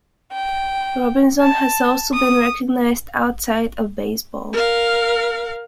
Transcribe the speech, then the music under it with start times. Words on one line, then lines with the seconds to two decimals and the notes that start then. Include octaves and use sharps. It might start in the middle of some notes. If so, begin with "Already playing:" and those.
Robinson has also been recognized outside of baseball.
0.32 G5
1.38 A5
2.12 D#6
4.53 A#4 F5